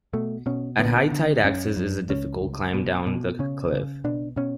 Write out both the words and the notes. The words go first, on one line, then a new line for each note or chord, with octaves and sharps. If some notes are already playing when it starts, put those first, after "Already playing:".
At high tide access is a difficult climb down the cliff.
B2 A3
B2 C#4
D3 B3
D3
F#2 C#4
F#2
C#2 C#4
C#2
B2
B2
C#3 C#4
C#3
B2 D4
B2 C#4